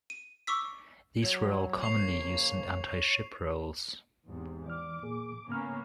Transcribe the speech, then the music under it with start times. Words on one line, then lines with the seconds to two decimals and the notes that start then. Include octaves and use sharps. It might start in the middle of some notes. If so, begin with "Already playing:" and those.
These were all commonly used in anti-ship roles.
0.10 D#7
0.47 C#6 D6 E6 B6
1.22 F#3 C#5
1.81 C#3 F3 A#3 C#6 C7 F7
4.27 E2 G#2 C3
4.66 E3 D5 D6 F6
5.02 A#2 A#3 G#4
5.48 G#2 C#3 A#3 B3 C#4 F6